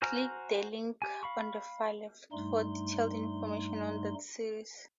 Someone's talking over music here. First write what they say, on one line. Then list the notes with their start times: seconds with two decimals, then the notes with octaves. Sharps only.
Click the link on the far left for detailed information on that series.
0.02 F#4 C5 G#5 A#5 F6
1.02 G4 G#5
1.23 F5 B5 C#6
2.32 G2 G3 A3 D#4 C6